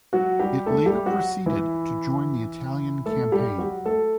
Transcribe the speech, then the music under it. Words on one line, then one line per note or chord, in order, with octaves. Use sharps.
It later proceeded to join the Italian Campaign.
F#3 F#4
G3 G4
A3 A4
G3 G4
F#3 F#4
E3 E4
A3 A4
G3 G4
F#3 F#4
A3 A4